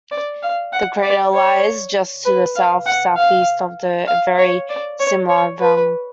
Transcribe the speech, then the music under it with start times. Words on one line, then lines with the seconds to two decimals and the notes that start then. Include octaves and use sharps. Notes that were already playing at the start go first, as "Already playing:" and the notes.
The crater lies just to the south-southeast of the very similar Runge.
0.11 D5
0.42 F5
0.72 F#5
1.03 D5
1.34 C#5
2.25 B4
2.56 F5
2.86 F#5
3.16 F5
4.07 F5
4.38 C#5
4.69 D5
5.00 C#5
5.29 C#5
5.60 B4